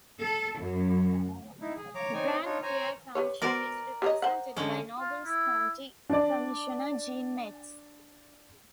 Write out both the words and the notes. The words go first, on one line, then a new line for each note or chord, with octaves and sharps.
Grand Prairie Township is represented by Nobles County Commissioner Gene Metz.
A4
F#2
D#4 E4
G#4
C#5 A#5 D6
C4 D#4 C#5 D5 G#5
D4 D#4 F4 C#5
C5 C#5 G#5 A#5
G4 B4 C#5
B3 F#4 A#4 C5 D5
G4 C#5 D#5
C5 F#5
D3 G#3 C#4
F4
E4
D4 D5